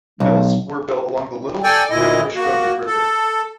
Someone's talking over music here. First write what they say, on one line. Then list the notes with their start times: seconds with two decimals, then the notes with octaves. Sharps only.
Mills were built along the Little Androscoggin River.
0.20 B1
1.63 A4 D5 G5 G#5
1.90 D2 A#2 E4 D#5
2.35 A#3 F#4
2.86 A4